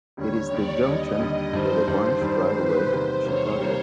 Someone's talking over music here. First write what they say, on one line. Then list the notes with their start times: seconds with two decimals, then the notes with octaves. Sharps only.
It is the junction for the branch railway to Chiange.
0.17 D#2 D3 G3 C#5
0.50 D#2 D3 G3 D5
0.85 D#2 D3 G3 D#5
1.19 D#2 D3 G3
1.53 G2 D#3 G3 C5
1.87 G2 D#3 G3 C5
2.21 G2 D#3 G3
2.56 G2 D#3 G3 B4
2.90 E2 C3 D#3 G3 A#3 C5
3.25 E2 C3 D#3 G3 A#3 C#5
3.59 C3 D#3 G3 A#3